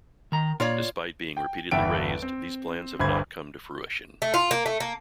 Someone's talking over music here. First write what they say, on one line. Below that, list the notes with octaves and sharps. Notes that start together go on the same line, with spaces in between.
Despite being repeatedly raised, these plans have not come to fruition.
D#3 A#5
A#2 F4 C#5 D5
G5
G1 E2 B3 E5 G5 D7
C4
G1 D2 C5 B5 G#6
A3
F4
A#3
A3
A#3